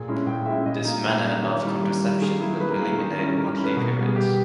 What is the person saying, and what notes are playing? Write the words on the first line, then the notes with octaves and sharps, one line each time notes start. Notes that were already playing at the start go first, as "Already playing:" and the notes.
This manner of contraception will eliminate monthly periods.
Already playing: A#2 G#4
G#3 C#4 E4
A#2 G5
G#3 C#4 E4 E5
A#2 D#5
A#3 D#4
A#2
A#3 D#4
D#3 C#5
G3 A#3 E4
D#3
G3 A#3 E4
D#3 G#4
A#3 E4
D#3 B4
A#4
A#3 E4 G#4
A#4
D#3
G3 C#4 E4
D#3 A#4
G3 C#4 E4
B4
B2 A#4
G3 B3
G#4
B2 G4